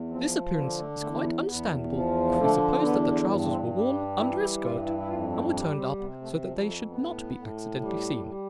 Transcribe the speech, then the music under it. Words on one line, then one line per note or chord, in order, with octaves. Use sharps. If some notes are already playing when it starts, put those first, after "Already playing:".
This appearance is quite understandable if we suppose that the trousers were worn under a skirt and were turned up so that they should not be accidentally seen.
Already playing: E2
F3 C4
A3
D3 B3
A3
E2 A3
B3
E2 B3
F3
D3 A3
E2 B3
G2 B3
C4
G3 D4
D4
E3 E4
E4
G2 F4
E4
E4
F2 F4
E4
G3 D4
C4
C3 B3
A3
F2
A3
A2 B3
A2
G3
G3